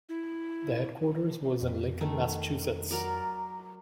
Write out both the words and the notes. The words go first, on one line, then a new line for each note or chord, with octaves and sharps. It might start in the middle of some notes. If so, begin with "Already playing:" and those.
The headquarters was in Lincoln, Massachusetts.
E4
F2
D#3 A3
F#3 A#4 D5